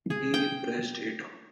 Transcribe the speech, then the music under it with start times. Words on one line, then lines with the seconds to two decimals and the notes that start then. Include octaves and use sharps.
He brushed it off.
0.10 G#4
0.34 G5